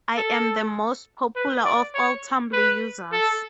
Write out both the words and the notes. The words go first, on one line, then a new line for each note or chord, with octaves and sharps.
I am the most popular of all Tumblr users.
A4
B4
D5
C#5
B4
A4